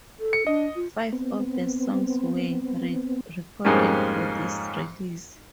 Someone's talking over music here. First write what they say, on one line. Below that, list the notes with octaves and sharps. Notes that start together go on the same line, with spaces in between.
Five of the songs were re-recorded for this release.
A4
C#7
D4 D#5
F4
B3 C4
F2 G#2 G3 G#3 A#3 C#4